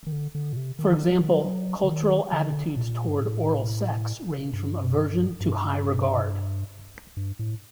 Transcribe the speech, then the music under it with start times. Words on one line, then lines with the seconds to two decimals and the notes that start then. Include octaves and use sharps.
For example, cultural attitudes toward oral sex range from aversion to high regard.
0.07 D#3
0.12 D3
0.35 D3
0.53 A#2
0.56 C3
0.79 D#3
1.10 F#3
1.21 D#3
1.32 F#3
1.44 F#3
1.84 D3
1.89 D#3
2.32 D3
2.76 A#2
3.08 G2
3.20 A2
4.53 G2
4.87 F#2
4.97 G2
5.41 G2
7.17 G2
7.39 A2